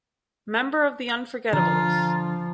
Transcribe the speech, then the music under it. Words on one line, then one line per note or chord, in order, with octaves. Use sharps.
Member of "The Unforgettable s."
D3 F3 F4 A#5